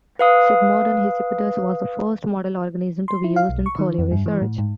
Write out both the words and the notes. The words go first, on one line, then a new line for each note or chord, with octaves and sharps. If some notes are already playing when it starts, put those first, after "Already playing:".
"Sigmodon hispidus" was the first model organism to be used in polio research.
B4 F5 D#6
C6
E4
F5
B1
C#6
D#3
F2
G2
E3
A2
G#2